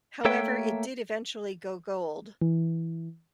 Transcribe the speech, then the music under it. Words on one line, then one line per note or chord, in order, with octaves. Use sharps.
However, it did eventually go gold.
A3 A#3 A4 C#5 E5 G5
E3